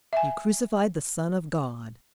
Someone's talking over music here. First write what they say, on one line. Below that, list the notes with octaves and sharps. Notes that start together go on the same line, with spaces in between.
You crucified the Son of God.
E5 G#5